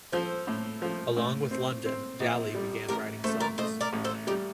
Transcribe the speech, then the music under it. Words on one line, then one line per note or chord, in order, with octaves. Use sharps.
Along with Lundon, Daly began writing songs.
F3 A4 C5
A2
F3
A2
C4
C4
A#1
G3
A1 G4 A#4
A3 A4 C5
A#4 D5
A3 C5 D#5
A#4 D5
A1
A4 C5
G3 D#4 G4